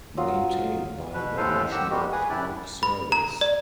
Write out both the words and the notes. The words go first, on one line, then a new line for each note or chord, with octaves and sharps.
Maintained by the National Park Service.
F#3 F4 D#6
B2 B4
D#2 A2 G#3 A4 C5 F5
D#3 G4 F#5 E6
G3 G#3 A#3 F#4 G4
G#4 B4 G#5 D#6
D4 E4 G4 D5
B5
A#5
D5